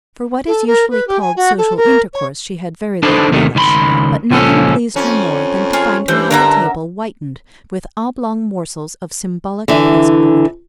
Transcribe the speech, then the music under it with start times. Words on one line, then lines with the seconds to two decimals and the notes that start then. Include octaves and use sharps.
For what is usually called social intercourse she had very little relish; but nothing pleased her more than to find her hall-table whitened with oblong morsels of symbolic pasteboard.
0.47 A4
0.67 A#4
0.90 B4
1.07 G4
1.20 G#5
1.36 F#4
1.57 A4
1.76 A#4
2.13 C#5
3.03 D4 D#4 A4 B4 C5 A5
3.32 D#2 C3 D#3 A3 D#4
3.55 C#2 D#3 C5 B5 C6
4.31 C#2 A#2 F3 C#4 A4
4.96 F2 C#4
5.73 F4 G#4 C#5
6.08 G2 E3 C5
6.31 D3 A#4 E5 A#5
9.68 D3 E3